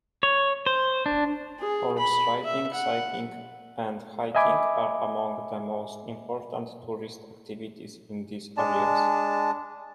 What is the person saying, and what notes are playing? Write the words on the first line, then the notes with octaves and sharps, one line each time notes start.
Horse-riding, cycling and hiking are among the most important tourist activities in these areas.
C#5
C5
D4
G#4
B5
E5
F#5
D#5 E5 G#5 B5 D6
G#3 D4 A5